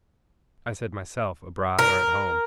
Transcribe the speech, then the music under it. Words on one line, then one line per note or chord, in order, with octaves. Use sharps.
I said myself, abroad or at home.'
A#4